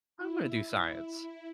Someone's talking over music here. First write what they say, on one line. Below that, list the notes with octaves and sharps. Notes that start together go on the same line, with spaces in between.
"I'm gonna do science,"
E4